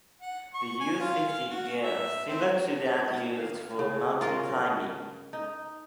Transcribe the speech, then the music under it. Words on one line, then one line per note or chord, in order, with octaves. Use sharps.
They use safety gear similar to that used for mountain climbing.
F#5
C#6
G#5
F4
F5
F#4
E5
C4
F5
C#3
C#4 F4 A#4
D#4